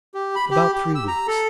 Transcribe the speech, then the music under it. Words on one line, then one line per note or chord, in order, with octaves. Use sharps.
"About three weeks."
G4
B5
G4
G4
E6
A#5
A4